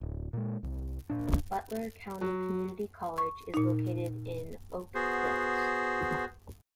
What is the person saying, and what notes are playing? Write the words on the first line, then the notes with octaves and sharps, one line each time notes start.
Butler County Community College is located in Oak Hills.
D1
A#2 G#3
C2
A#2 D4
F#3
C#6
A#2 D#4
B3 F#4 G#4 C5